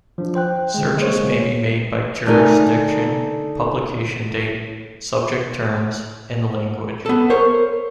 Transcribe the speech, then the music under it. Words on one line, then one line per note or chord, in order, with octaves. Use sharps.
Searches may be made by jurisdiction, publication date, subject terms, and language.
F3 D4
C5 G5 F#6
D3 G#3
G#3 A#3 C5 C#5
D3 A3 D#4 A#4 G#5
B3 A4
A#4 C5 C#5